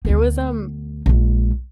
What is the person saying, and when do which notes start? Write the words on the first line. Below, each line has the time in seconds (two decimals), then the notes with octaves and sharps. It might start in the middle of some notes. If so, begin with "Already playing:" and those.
There was, um
0.05 D2 B3
1.06 A#1 G#3